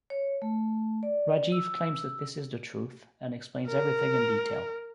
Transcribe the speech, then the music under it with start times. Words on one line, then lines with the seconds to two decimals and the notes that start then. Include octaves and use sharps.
Rajeev claims that this is the truth and explains everything in detail.
0.10 C#5
0.42 A3
1.03 D5
1.52 E6
3.68 A#4